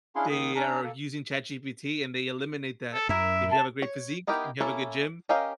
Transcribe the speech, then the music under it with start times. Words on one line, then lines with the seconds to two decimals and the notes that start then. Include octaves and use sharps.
they are using ChatGPT and they eliminate that. If you have a great physique and you have a good gym,
0.15 C#4 D4 E4 G#4 F5 C6
0.30 D#2 D#3 D#6
0.55 C#4 D4 A#5
0.83 A#3 A4
2.93 A4
3.09 F#2 E4 A#4 E5
3.52 A5
3.82 C#5
4.27 B3 D#4 E4 G4 A#4
4.60 A#3 C#4 E4 A4
5.29 C#4 G4 A#4 D#5 F5